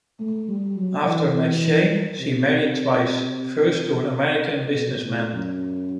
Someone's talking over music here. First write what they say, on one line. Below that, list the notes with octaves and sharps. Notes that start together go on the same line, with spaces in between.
After McShane, she married twice, first to an American businessman.
A3
G3
F#3
E3
E3
C3
B2
A2
F#2